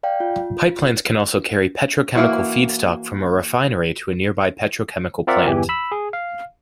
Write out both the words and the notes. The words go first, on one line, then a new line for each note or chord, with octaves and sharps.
Pipelines can also carry petrochemical feedstock from a refinery to a nearby petrochemical plant.
D5 F5 G5
F4
E3 A#3 D4 E4 F#4
C4 F4 A#4 D5 E5 F#5
G1 E2 E3 G4 G#5
B5 E6
G#4
F5